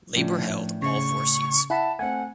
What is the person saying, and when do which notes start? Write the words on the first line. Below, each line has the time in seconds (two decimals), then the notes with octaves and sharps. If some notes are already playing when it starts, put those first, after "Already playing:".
Labour held all four seats.
0.16 A2 F3 C#4 D4
0.82 C#3 C#6
1.70 E4 F#5 A5 B5
1.99 A3 C4 F#5 G#5